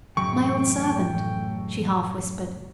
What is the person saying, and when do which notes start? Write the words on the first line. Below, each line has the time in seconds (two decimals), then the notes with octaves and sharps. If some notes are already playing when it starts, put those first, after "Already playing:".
"My old servant," she half whispered.
0.17 A1 F#2 A2 C#3 G5 C#6